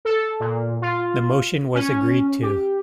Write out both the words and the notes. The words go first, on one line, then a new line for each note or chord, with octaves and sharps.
The motion was agreed to.
A4
A#2
F4
C#4
G4